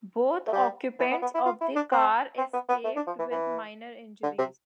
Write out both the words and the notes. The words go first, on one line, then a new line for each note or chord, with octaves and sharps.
Both occupants of the car escaped with minor injuries.
A3
G3
E3
B3
B3
E4
F4
E4
D4
C4
C4
B3
B3
A3
D4
F3
E3
E3
D3
C3